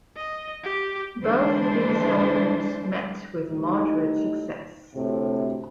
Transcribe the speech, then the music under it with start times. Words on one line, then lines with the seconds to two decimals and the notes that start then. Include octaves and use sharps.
Both of these albums met with moderate success.
0.16 D#5
0.64 G4
1.22 D3 E3 G#3 D4 C5
3.48 A2 G3 D#4
4.95 D2 A2 C3